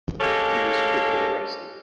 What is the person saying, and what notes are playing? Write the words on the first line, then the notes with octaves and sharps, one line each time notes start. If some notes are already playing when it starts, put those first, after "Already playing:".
He was quickly arrested.
G#3 A#3 C#4 G4 A4